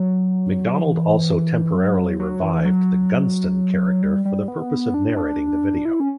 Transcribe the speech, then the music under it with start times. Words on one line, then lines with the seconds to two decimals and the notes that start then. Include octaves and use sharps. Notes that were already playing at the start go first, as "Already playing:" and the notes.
McDonald also temporarily revived the Gunston character for the purpose of narrating the video.
Already playing: F#3
0.82 E3
1.74 F#3
2.19 F#3
2.42 E3
2.65 F#3
4.02 G3
4.25 G3
4.48 B3
4.94 D4
5.16 D4
5.85 E4
6.00 C#4